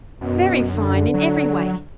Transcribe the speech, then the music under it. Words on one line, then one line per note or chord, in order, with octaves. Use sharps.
'Very fine in every way.
F#2 B2
D3
F#3